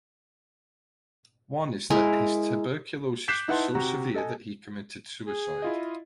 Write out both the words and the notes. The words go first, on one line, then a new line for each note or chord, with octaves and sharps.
One is that his tuberculosis was so severe that he committed suicide.
G#3 E4 A#4
D6 F#6 G6 B6 C7 E7
D#4 E4 B4 F#5 A5 C6
C3 F#4 A#5
A4 D#5 G#5
G#4
E4 F4 D#5